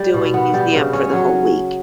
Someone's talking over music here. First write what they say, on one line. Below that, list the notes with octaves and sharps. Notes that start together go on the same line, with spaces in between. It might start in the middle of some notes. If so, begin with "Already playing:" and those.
doing museum for the whole week.
Already playing: G3
B2
B3
G3
C#3
C#4
F#3